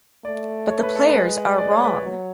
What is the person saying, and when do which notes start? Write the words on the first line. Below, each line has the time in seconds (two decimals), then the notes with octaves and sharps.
But the players are wrong.
0.25 A3 D5
0.69 C#5
0.83 B4
0.96 A4
1.09 B4
1.14 G#3
1.58 D5
1.71 C#5
1.84 B4
1.96 C#5
2.03 F#3